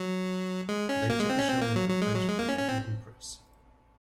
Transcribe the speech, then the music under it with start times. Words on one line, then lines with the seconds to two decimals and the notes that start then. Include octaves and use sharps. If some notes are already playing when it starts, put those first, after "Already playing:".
Later the shell was replaced with a metal impress.
Already playing: F#3
0.69 G#3
0.89 C#4
1.10 A#3
1.20 G#3
1.30 C4
1.39 C#4
1.48 C4
1.62 A#3
1.76 F#3
1.89 F#3
2.02 G#3
2.15 F#3
2.29 G#3
2.39 A#3
2.49 C#4
2.59 C#4
2.69 C4